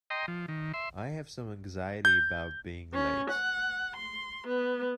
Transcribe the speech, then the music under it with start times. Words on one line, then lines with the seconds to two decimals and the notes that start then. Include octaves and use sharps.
I have some anxiety about being late.
0.10 D#5 G5 A#5 C6
0.28 F3
0.48 D#3
0.74 E5 C6
2.05 G6
2.94 C#4
3.30 F#5
3.97 C6
4.47 B3